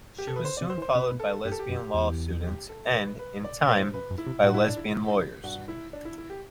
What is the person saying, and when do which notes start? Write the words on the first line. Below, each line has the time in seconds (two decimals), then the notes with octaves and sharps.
She was soon followed by lesbian law students and, in time, by lesbian lawyers.
0.18 G4
0.27 A4
0.36 E3 B4
0.45 D3 C5
0.57 D5
0.61 C3
0.70 C5
0.78 E3
0.82 C5
0.94 C3 B4
1.12 B2
1.20 A4
1.45 G2 G4
1.52 A4
1.59 G4
1.69 F#2
1.94 E2
2.44 G4
2.69 A4
2.94 B4
3.19 B4
3.44 D5
3.68 C5
3.78 A2
3.86 G2
3.94 F#2 B4
4.11 F#2
4.18 E4
4.26 C3
4.44 A2 F#4
4.54 E4
4.66 D4
4.77 E4
5.44 G2 F#4
5.68 E4
5.93 D4
6.05 E4
6.18 E4
6.30 G4